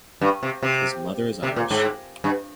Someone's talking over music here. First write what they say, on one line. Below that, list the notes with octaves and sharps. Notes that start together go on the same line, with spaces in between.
His mother is Irish.
G2
C3
C3
C3
A#2
G#2
G2